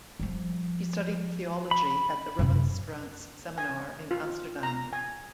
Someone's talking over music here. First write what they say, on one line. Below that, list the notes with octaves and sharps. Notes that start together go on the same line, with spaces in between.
He studied theology at the remonstrants seminar in Amsterdam.
F3 G3
B5
F#2 C3
G#5
F4
A#5
G#5